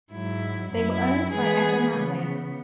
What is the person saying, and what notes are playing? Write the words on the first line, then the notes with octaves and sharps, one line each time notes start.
They were owned by Effa Manley.
G#2 F#3 E4
F#2 F#3 E4
E3 G#3 B3 G#4 B4
C#3 E3 B3